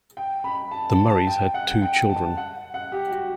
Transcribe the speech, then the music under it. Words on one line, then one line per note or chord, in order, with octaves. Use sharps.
The Murrays had two children.
G5
B5
A5
A5
A5
G5
F#5
G5
A5
F#5
F#5
G4
F#4